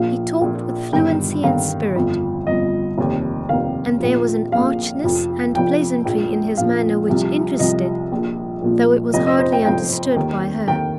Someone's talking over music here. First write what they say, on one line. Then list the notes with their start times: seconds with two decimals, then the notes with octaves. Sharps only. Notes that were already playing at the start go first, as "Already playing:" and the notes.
He talked with fluency and spirit--and there was an archness and pleasantry in his manner which interested, though it was hardly understood by her.
Already playing: A#1 A#2 F3 F5
0.41 A#1 A#2 F3
0.93 G1 G2 D#3 G5
1.44 G1 G2 D#3 F5
1.96 G1 F2 F3
2.46 G1 F2 F3 D#5
2.98 F1 D#2 D#3
3.49 F1 D#2 D#3 F5
4.00 A#1 A#2 F3
4.52 A#1 A#2 F3 F5
5.04 F1 F2 F3
5.55 F1 F2 F3 G5
6.05 A#1 A#2 F3
6.57 A#1 A#2 F3 F5
7.08 C2 C3 F3
7.59 C2 C3 F3 D#5
8.12 A#1 A#2 F3
8.62 A#1 A#2 F3
9.13 F1 F2 F3 D#5
9.27 D#5
9.39 C5
9.52 G5
9.65 F1 F2 F3 G5
10.16 D#2 D#3
10.68 D#2 D#3 G5